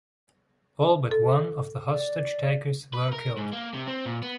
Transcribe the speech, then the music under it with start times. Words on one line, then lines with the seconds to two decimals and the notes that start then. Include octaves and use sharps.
All but one of the hostage-takers were killed.
1.11 A4
1.91 D5
2.93 B4
3.12 A#4
3.37 G#2
3.52 A#3
3.74 C3
3.87 C4
4.06 A#2
4.23 B3